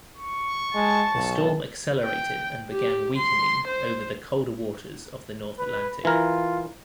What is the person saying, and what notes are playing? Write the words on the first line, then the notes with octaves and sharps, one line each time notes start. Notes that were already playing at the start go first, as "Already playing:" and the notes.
The storm accelerated and began weakening over the colder waters of the north Atlantic.
C#6
G#3 A5
B1
G5
G4
C6
C5
B4
E3 F4 A#4